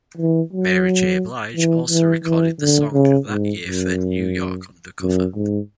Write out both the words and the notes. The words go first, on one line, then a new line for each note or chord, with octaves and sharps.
Mary J. Blige also recorded the song that year for "New York Undercover".
E3
F#3
E3
E3
E3
D3
C#3
G#2
F#2
F#2
G#2